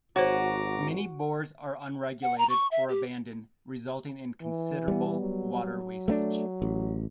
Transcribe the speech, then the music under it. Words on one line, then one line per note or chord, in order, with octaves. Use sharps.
Many bores are unregulated or abandoned, resulting in considerable water wastage.
G#1 F#4 C5 C#5 A#5 D6
F#5
A#5
C#6
E5
G4
E3
G3 B3
F#3
A3 A#3 D4
A1